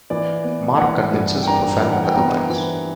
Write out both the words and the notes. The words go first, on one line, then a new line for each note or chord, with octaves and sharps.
Mark convinces Boffano otherwise.
E3 D5
B3
E3 F#5
G2
G5
D4 A#5
E3
F#5
G5
B3 A#5
E3